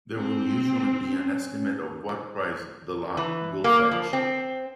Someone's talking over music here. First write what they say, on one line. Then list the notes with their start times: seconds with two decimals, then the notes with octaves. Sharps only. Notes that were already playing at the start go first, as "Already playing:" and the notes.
There will usually be an estimate of what price the lot will fetch.
0.18 C4
1.12 C#4
3.17 E3
3.64 A#3
3.91 F3
4.13 C4